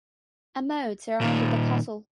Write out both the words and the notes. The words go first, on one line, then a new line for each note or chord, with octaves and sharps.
A moat surrounded the castle.
A#2 D#3